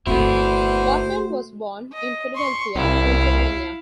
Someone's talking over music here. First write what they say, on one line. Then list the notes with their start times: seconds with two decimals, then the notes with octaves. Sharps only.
Wharton was born in Philadelphia, Pennsylvania.
0.07 G1 A3 B3 C4 E4 F#4 C5
1.93 D#5
2.35 C6 C#6
2.75 C2 E4 F5